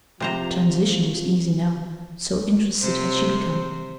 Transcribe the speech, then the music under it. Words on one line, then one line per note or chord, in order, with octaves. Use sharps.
The transition was easy now, so interested had she become.
C3 F3 C5 A#5
C3 C5